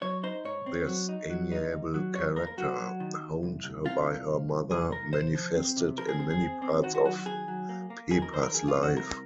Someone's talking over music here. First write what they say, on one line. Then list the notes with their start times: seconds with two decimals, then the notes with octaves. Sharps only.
This amiable character honed by her mother manifested in many parts of Pepa's life.
0.02 F#3 C#5
0.23 D#4 C5
0.45 G#2 C#5
0.66 C4
0.87 F#3
1.09 D#4
1.30 F#3
1.52 D#4
1.72 D#2
1.94 F#3
2.15 D#2 C#5
2.36 A#3 A#4
2.47 A#4
2.57 F#3 F#4
2.79 F#3
3.00 D#3
3.21 D#2
3.43 C2
3.64 C2
3.85 C3 F4
4.07 C2
4.28 C2
4.49 C2
4.71 C2 G#4
4.92 C2 A#4
5.13 C3 C5
5.35 F3
5.56 C4
5.77 C3
5.98 F3 A#4
6.09 G#4
6.19 C4 G#4
6.30 G#4
6.40 C4
6.62 C4
6.83 D#3 F#4
6.95 F#4
7.05 F#3 F#4
7.16 F#4
7.26 D#3 G#4
7.48 F#3
7.69 A#3
7.90 A#3
8.11 D#3 G#4
8.22 A#4
8.32 D#3 C5
8.43 A#4
8.54 F3 G#4
8.68 F4
8.75 C3
8.83 F#4
8.96 C2 A#4